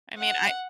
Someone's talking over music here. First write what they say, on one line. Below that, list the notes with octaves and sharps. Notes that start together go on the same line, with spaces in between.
I mean, I
F#5